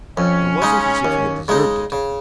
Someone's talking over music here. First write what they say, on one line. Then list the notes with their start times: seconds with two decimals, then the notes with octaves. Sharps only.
It wasn't as if he had deserved it.
0.17 F2 C#4
0.62 C#3 G#3 D#4
1.05 D#2
1.48 C#3 G#3 D#4
1.92 C#3